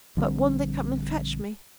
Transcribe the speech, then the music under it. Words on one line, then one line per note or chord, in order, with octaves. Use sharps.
"But won't they come and fetch me?"
A#1 D3 G3 C4